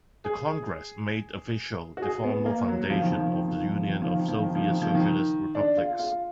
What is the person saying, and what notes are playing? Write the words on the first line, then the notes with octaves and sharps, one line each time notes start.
The Congress made official the formal foundation of the Union of Soviet Socialist Republics.
G#4
F#4
G#4
B3
A#3
F#3
F3
D#3
F3
D#3
F3
D#3
F3
D#3
F3
D#3
F3
D#3
F3
D#3
F3
D#3
D4
F4
F4